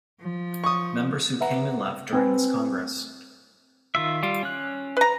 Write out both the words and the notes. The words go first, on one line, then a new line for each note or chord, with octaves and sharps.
Members who came and left during this Congress.
F3
C#6 D#6
B4 E5 F#5 A#5
C4 B4 G#5
D#3 F4 E5
G3 F4
C#4 F#6
B4 A#5